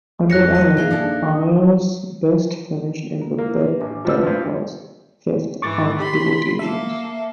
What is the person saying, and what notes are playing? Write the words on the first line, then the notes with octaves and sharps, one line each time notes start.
Under Allen, Iowa's best finish in the Big Ten was fifth, on two occasions.
F2 C#5 F#6 A#6 C#7
D#5
C3 A#3 D#4 G#4 F5
D4 E4 A4
A#3
A#3 E4
D4 B4
A1 D6
F3 G3 F4 B4 E6
G2 F3
G#2 E3 C#6 D6 A6
G4 B5 C6
A#3 A4 E5